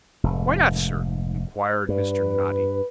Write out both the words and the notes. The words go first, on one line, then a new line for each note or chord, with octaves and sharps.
'Why not, Sir?' inquired Mr. Noddy.
F1 G#2
G2 B4